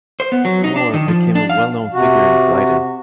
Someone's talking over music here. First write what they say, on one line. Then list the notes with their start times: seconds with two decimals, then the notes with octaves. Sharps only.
Moor became a well-known figure in Brighton.
0.20 C5
0.32 B3
0.45 F#3
0.64 D#4
0.76 D4
0.94 D#3
1.08 F3
1.35 D4
1.50 F5
1.94 C3 F#4